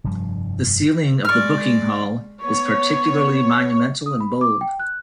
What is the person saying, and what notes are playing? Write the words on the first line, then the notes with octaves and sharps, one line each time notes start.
The ceiling of the booking hall is particularly monumental and bold.
F1 G2 F3 G3
G#3 D5 C#6 F6
B3 C#5
D#6
B5
D6
G5
F#6